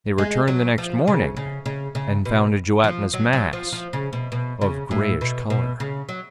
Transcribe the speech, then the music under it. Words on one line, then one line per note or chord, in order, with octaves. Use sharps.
They returned next morning and found a gelatinous mass of grayish color.
G#3
F#3
F3
C#3
C#3
C#3
C#3
B2
F3
F#3
F#3
F3
F3
C#3
B2
B2
C#3
A2
B2
B2
C#3
F#3